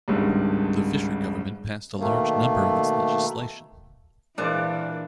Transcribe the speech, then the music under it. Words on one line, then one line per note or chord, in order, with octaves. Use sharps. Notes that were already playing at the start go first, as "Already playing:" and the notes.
The Fisher government passed a large number of its legislation.
G#1 C#2 G2
B2 D#3 A3 A#3
A#2 E3 G#3 D4 C5 D5